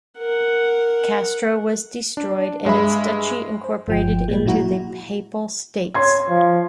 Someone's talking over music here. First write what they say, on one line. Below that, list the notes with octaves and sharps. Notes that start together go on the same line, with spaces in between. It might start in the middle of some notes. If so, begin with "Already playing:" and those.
Castro was destroyed and its duchy incorporated into the Papal States.
A#4 F#5
D4
G2 G#3 E5 B5
C5
G1 F3 G5
A#2 G#3
A#2 F#3 E4 F#4 A#5
C#5 C6 G#6
F3